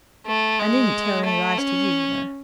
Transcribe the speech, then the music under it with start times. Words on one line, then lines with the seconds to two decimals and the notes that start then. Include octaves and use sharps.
I needn't tell any lies to you, you know.
0.26 A3
0.59 G#3
1.25 A3
1.58 C#4